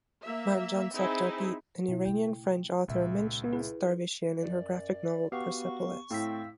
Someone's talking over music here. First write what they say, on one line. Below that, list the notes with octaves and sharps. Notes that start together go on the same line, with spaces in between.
Marjane Satrapi, an Iranian-French author, mentions Darvishian in her graphic novel "Persepolis".
A#3 E5
C4 D#4 E4 G#4
B2 E4
C#3 A3 G5
C#2 A#2 E5
E4 G#4 B4
F#2 D5
B3 F#4 G4 F5 C#6
A2 C4 F5 E6 B6